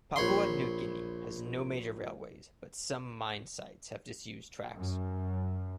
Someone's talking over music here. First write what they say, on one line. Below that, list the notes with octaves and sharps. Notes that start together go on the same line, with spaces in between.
Papua New Guinea has no major railways, but some mine sites have disused tracks.
A#1 C#5 B5 C6
F#2